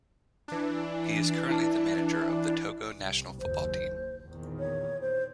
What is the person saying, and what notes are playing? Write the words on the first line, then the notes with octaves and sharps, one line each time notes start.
He is currently the manager of the Togo national football team.
E3 D4
E4 A5
C2
F#1 D#2 C5
E2 A#2 D#3
C#5
C5